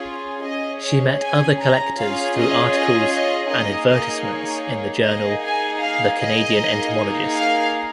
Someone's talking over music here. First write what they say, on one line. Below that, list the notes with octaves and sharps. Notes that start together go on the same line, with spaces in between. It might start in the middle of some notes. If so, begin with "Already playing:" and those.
She met other collectors through articles and advertisements in the journal "The Canadian Entomologist".
Already playing: C#4 F4 G#4
C#4 G#4 D#5
C#5
G#5
A#5
C#4 F4 G#4 F5
D#5
D#5
D#5
A#3 D#4 G#4 D#5
D#5
C#5
A#3 D#4 G#4 D#5
G#5
F5
D#5
A#3 D#4 G#4
F5